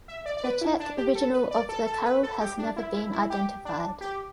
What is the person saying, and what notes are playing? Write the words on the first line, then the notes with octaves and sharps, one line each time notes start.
The Czech original of the carol has never been identified.
E5
D5
D5
B4
E4
D4
G4
A4
B4
D5
A4
A4
B4
A4
G4
D4
E4
E4
E4
G4
D4
G4